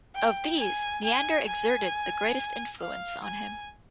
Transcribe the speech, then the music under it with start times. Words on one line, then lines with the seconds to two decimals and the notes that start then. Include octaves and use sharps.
Of these, Neander exerted the greatest influence on him.
0.15 G5
0.59 G#5
1.04 G#5
1.47 G#5
2.80 F5
3.24 G#5